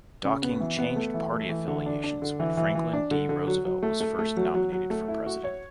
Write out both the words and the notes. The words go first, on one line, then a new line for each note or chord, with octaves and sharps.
Docking changed party affiliations when Franklin D. Roosevelt was first nominated for president.
C#3
B3
E3
B3
A3
E3
A3
E3
D3
D4
D4
D3
E3
E3
E3
D4
D3
D3
F#3
F#3
A3
A3
A3
F#3
F#3
F#3
A3
E4
F#4
C#5